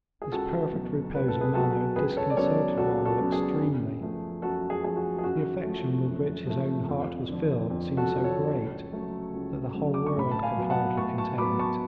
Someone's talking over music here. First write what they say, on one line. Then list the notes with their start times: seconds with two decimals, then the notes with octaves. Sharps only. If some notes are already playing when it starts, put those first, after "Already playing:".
This perfect repose of manner disconcerted Raoul extremely; the affection with which his own heart was filled seemed so great that the whole world could hardly contain it.
0.22 G#4
0.32 C#2 F#4 A4
0.73 B2 F#3
1.14 C#2 B4
1.28 A4
1.41 G#4 B4
1.55 B2 F#3 F#4 A4
1.96 C#2 G#4 B4
2.17 A4 C#5
2.30 D5
2.37 C#3 F#3 B3 A4 C#5
2.78 C#2 F#4 A4
3.05 F#4 A4
3.19 C#3 F#3 B3
3.32 G#4
3.60 F#2
4.01 F3 A3
4.42 F#2 F#4 A4
4.70 G#4
4.82 F3 A3 G#4
4.96 F#4
5.19 G#4
5.24 F#2 F#4
5.64 F3 A3
6.06 F#2
6.47 F3 A3
6.88 F2
7.29 D3 F3
7.70 F2
7.97 F#4 A4
8.11 D3 F3
8.24 A4 C#5
8.52 C#2
8.92 C#3 F#3 A3
9.34 C#2
9.74 C#3 F#3 A3
9.94 D6
10.06 C#6
10.16 A2 B5
10.31 A5
10.43 F5 G#5
10.56 F#3 B3
10.70 F#5 A5
10.97 A2 A5 C#6
11.18 A5 C#6
11.38 F#3 B3 B5 D6
11.59 A5 C#6